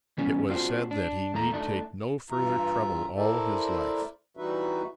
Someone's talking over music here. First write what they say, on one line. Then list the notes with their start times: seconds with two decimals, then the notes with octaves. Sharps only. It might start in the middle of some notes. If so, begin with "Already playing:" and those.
It was said that he need take no further trouble all his life.
0.18 E3 G3 B3 C#4
0.49 C4 D4 F4 F#4 G#4 C5
0.91 D4
1.34 E2 A3 A#5
1.52 A3 D4 D#4
2.30 G2 E3 F4 E5 A#5
3.16 E4 A4 A#4 C5 D5 E5
4.37 E3 G3 D#4 F#4 B4 E5